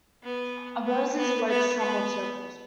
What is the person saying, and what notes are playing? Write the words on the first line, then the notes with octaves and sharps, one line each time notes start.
A rose is a wedge sum of circles.
B3
B3
B3
B3
B3